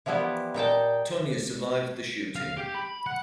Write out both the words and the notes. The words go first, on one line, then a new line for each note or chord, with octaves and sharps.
Tonya survived the shooting.
E3 F3 G3 B3 E4
A#2 D#4 G5 A5
F5
G4
B5
F#5